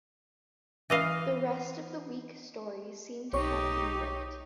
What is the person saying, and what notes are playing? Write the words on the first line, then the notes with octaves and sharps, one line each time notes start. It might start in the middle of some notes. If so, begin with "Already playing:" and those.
The rest of the weak story seemed to have him licked.
E3 D#5 F5
B1 D#4 G4 C#5 C#6